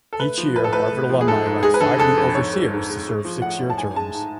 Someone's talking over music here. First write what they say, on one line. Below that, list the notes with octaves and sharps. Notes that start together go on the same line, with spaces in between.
Each year, Harvard alumni elect five new overseers to serve six-year terms.
A4
A3 B4
F3
A2 B4
A4
A2 B4
A3
F3
G#4
G#2 A4
G#2
G#3 G#4
B4
D3 A4
F2 A4
F2
G#2 C#5
G#3
G#2
G#3
G#3
F3
A2 F#5
A2
A5
G#2 G#5
G#3 A5
G#2